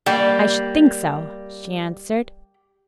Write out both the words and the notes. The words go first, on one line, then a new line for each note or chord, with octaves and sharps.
"I should think so," she answered.
G3 A#3 G4